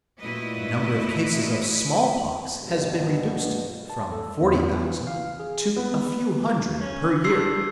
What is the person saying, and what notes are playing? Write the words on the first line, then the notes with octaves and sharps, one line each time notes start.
The number of cases of small-pox has been reduced from forty thousand to a few hundred per year.
A#2 A3 E4 F#4 B4 D#5
A#1 G2 B2
A5
A4
E2
B3
E3
F5
G#4
B3
C#4
G2 E6 C7